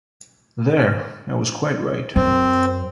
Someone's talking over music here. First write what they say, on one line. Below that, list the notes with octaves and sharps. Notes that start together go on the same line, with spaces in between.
There I was quite right.
F#2 C4